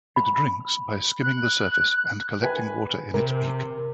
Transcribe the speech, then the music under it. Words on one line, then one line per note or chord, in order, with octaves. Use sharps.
It drinks by skimming the surface and collecting water in its beak.
B5
F#6
B4 G#5
C3 A#4